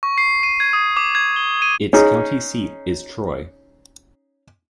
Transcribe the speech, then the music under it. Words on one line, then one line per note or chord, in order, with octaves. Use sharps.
Its county seat is Troy.
C#6
C7
D#7
G#6
D#6
D6
G#6
G7
D#7
C#4 D#4 G#4